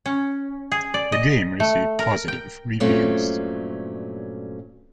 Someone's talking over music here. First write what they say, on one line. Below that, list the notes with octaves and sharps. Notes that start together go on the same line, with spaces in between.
The game received positive reviews.
C#4
G#4
D5
D#5
A3
A#4
G5
G2 A#2 F#3 A3 C4 C#4